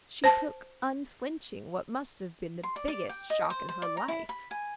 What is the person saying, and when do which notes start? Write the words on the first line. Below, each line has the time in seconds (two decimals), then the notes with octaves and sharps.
She took unflinching what must have been the biggest shock in her life.
0.24 C5 A5
2.63 C6
2.76 D5
2.88 D5
3.09 G5
3.30 D#5
3.50 C5
3.69 C5
3.82 D5
3.97 A#5
4.08 E4
4.29 B5
4.51 G#5